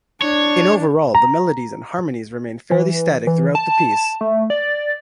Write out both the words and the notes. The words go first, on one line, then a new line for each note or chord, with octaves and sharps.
In overall, the melodies and harmonies remain fairly static throughout the piece.
D4 C#5
A#5
E3
E3
A5
A3
D5